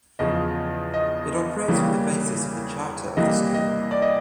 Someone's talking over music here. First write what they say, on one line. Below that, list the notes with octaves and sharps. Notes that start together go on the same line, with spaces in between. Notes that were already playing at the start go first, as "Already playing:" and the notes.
It operates on the basis of the charter of the school.
E2 C#3 F3 D#5
D#5
C#3 E3 G3 A#3 C#4
C3 E3 G3 A#3 D#5
D#5
D5
D#5